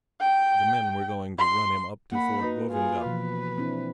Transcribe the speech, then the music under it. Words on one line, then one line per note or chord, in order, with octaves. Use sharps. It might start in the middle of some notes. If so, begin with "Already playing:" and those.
The men were going to run him up to Fort Govindghar.
G5
C6
A#3 F#5 B5
D#4 F#4 B4
F4 G#4
B2 E3 F3 B4
C4 D4 E4